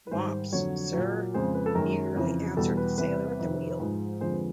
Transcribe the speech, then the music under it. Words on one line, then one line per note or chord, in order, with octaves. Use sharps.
Mops, sir, eagerly answered the sailor at the wheel.
B4
G#2 D#3 G3 C5
F2 D3 F#3 C#5
A#2 F#3
F2 C#3 F3 G#3 C5
B4
A4
F#2 D#3 G#3 A#4
F2 C#3 E3
E2 B2 G3 A4
B4
E2 C3 E3 G3 B4
F2 C3 D#3
G#2 F3 G#3
F2 D3 F3 G#3 C5
B4